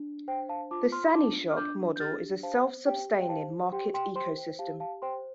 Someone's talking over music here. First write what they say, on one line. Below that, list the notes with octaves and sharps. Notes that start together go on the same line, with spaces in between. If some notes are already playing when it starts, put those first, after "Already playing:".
The SaniShop model is a self-sustaining market ecosystem.
Already playing: D4
C5 G5
F5 A5
F4 A5 D6
C6 F6
C6
D4 A5 D6
F6
D4 D6 G6
G6
G4 F6 A6
C5 F5 A5
G4 G5
G5
C5 F5 A5
G4 G5 C6
G5 C6
C5 G5 C6
G5
G4 F5 A5
F5 A5
C5 G5 C6